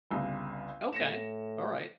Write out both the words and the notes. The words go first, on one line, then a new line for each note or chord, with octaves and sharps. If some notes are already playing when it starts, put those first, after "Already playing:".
Okay. Alright.
G1 C2 C#3
A2 A#6 C#7 E7